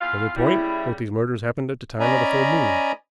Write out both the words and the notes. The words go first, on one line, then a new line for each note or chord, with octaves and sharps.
Another point, both these murders happened at the time of the full moon.
E2 F4 F5
C#3 G3 E4
C#4 D5 D#5 G#5 A#5 B5